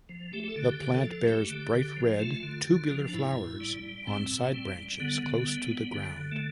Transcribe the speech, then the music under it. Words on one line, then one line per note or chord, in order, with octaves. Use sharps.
The plant bears bright red, tubular flowers on side branches close to the ground.
F3
A3 G4
G4
A4
D3
G4
D3 G4
A4
F3
A4
A3 G4
D3
D3
F3
A3 F4
D3
D3
F3
D4
A2 E4
A2
G3
G3
A2 C4
A2
G3
G3
D3 B3
D3
G3
G3
D3
D3
A3